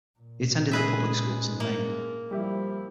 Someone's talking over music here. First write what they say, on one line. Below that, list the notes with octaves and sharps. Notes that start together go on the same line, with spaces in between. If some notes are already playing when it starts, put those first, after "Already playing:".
He attended the public schools in Maine.
A#2
G#3 C#4 G#4 B4 E5 A#6
A#3
F3 G3 E4 G4 E5